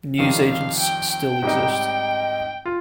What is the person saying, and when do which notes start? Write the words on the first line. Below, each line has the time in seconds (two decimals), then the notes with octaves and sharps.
Newsagents still exist.
0.19 F2 D#3 G3 F5
0.50 F5
0.80 G5
1.11 G5
1.42 G#2 G3 C4 D#4
2.66 F4